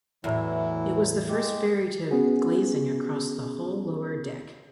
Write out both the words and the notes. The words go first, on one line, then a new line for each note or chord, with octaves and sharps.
It was the first ferry to have glazing across the whole lower deck.
E2 A2 E3 F#3 E4
G#3 G4
B3 C#4 F#4 G#4